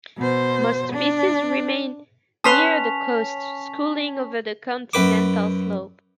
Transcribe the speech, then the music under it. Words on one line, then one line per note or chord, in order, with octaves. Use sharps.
Most species remain near the coast, schooling over the continental slope.
B2 C5
D4
C#4 B4 A5 C6 D#6 B6 F7
F#2 B4 D6